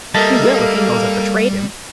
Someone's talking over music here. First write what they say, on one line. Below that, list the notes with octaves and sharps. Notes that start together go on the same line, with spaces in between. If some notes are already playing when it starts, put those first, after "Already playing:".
"He will, if he knows I've betrayed him."
G3 A#3 A4 D#5 E5 A5